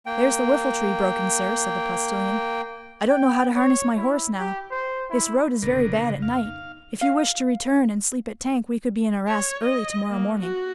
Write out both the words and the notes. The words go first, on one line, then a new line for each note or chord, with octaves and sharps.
"There's the whiffle-tree broken, sir," said the postilion; "I don't know how to harness my horse now; this road is very bad at night; if you wish to return and sleep at Tinques, we could be in Arras early to-morrow morning."
A#3 G5
G5
C#5
E4
G4
C5
E4
F#1 B2 D3 A#4
A2 C#3
F2 B3 F5
D#4
F5
C#5
D#5
A#3
F#4